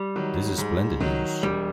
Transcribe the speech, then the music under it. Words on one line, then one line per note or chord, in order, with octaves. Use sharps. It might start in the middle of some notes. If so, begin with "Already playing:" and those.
This is splendid news.
Already playing: G3
D#3 F#3
G#2
D#3 F#3
E1 G3